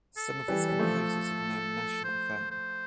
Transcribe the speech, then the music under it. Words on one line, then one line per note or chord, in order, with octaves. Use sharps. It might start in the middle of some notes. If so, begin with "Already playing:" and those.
Some of its composers have known national fame.
A4
E3 G3
G3
F3 A3
C5
C5